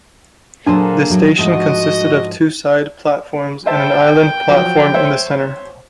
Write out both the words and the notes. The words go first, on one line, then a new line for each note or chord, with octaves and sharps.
This station consisted of two side platforms and an island platform in the centre.
A#2 F#3 A#3 D4 G#4 A4 C5 A5
A2 F#3 A3
G#2 F3 A3 F#4 D#5
C5 E5 G5 A5
F3 F#3
C5 C#5 E5